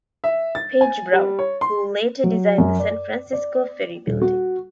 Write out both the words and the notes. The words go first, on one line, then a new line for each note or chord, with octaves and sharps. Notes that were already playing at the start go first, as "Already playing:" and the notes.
Page Brown, who later designed the San Francisco Ferry Building.
E5
A6
G#5
G3
C#5
C6
F#3
F#2
D5
D5
D#1
F#4